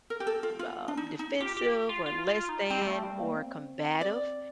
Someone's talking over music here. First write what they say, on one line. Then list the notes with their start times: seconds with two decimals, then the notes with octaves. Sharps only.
uh, defensive or less than or combative,
0.10 A#4
0.20 G4
0.27 A4
0.43 F4
0.59 F4
0.88 D4
0.97 D#4
1.19 D#4
1.40 F4 G4
1.57 G4
1.89 F4
2.06 F4
2.28 F4
2.49 D#4
2.70 C4 G4
2.82 G3
2.87 A3
3.04 G3
3.19 A#3
3.36 C4
4.01 D5